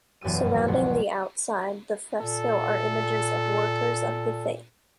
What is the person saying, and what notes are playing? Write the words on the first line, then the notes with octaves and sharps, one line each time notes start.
Surrounding the outside the fresco are images of workers of the faith.
E1 F#2 G4 E6 D#7
G#1 G2
F1 C2 B2 F#4 C7
A#2 A4